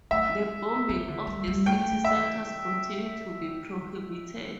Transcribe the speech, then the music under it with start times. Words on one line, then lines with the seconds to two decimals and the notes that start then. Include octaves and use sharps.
The bombing of the city centers continued to be prohibited.
0.11 A3 E5
0.89 E3
1.08 D3
1.27 G3
1.48 G3
1.66 A3 G5
1.92 A3
2.05 E5
2.18 E3